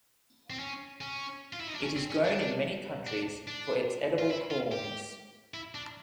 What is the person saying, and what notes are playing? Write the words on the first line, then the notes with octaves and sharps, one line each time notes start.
It is grown in many countries for its edible corms.
C4
C#4
C#4
F4
E4
D#4
D4
C#4
C4
C#4
D4
D4
D4
F4
E4
F4
G4
E4
D4